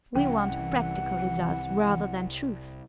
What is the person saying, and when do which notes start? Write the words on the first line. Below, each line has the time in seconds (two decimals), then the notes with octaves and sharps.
We want practical results rather than truth.
0.16 C2 E3 C#4 F#5